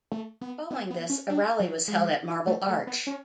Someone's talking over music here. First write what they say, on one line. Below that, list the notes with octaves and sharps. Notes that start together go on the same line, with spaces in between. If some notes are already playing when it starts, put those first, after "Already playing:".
Following this, a rally was held at Marble Arch.
A3
B3
B3
B3
C#4
D4
F#3
G#3
A3
A3
B3
C#4